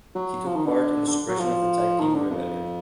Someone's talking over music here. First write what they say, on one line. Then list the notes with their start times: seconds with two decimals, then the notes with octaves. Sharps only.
He took part in the suppression of the Taiping Rebellion.
0.15 F#3
0.45 F3
0.56 D#3
0.66 D3
1.07 D3
1.28 F#3
1.38 F3
2.00 D#3
2.15 D3
2.30 F2